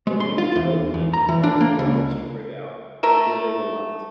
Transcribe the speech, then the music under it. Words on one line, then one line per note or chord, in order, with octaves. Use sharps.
Her damaged bow planes required three hours to rig out, where they were left.
G#3
C6
F4
E2
E2
A#5
E3
D4
A#3
C#2
A3 A#4 E5